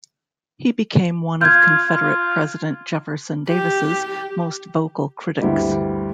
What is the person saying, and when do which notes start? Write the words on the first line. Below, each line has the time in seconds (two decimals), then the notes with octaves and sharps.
He became one of Confederate President Jefferson Davis's most vocal critics.
1.41 F4 G6 G#6
1.90 F4
3.49 G4
5.42 D2 G2 E4 G4